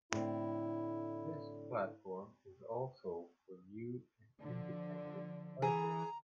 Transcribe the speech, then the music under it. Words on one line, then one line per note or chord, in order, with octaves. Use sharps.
This platform is also for new and independent artists.
A2 D3 C4 E4
D3 F3
E3 G#4 A#5